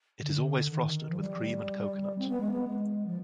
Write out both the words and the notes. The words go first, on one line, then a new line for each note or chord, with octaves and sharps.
It is always frosted with cream and coconut.
D3
D#3
F3
G3
C4
B3
G#3
B3
G#3
F3